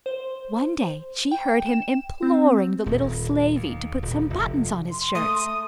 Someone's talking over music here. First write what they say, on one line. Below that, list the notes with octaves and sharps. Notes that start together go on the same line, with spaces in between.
One day she heard him imploring the little slavey to put some buttons on his shirts.
C5
G5
E7
C4
D#1
D#2
D#1
F1
C6
A3 D#6